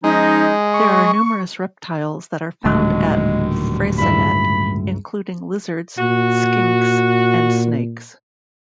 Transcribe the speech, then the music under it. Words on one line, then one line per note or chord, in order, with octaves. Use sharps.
There are numerous reptiles that are found at Freycinet including lizards, skinks and snakes.
F3 G#3 C#4 D#4
C#6
D#1 A2 D3 F#3 G#3
C#2 G2 E4 B5
A#2 F#4